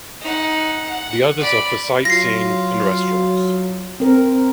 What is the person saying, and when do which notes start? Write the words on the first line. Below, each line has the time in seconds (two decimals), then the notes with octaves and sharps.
The others are for sightseeing and restaurants.
0.21 D#4 F#5
0.90 F#5
1.40 D5 B5
2.05 F#3 F4 A#6 C7
4.00 C4 A#4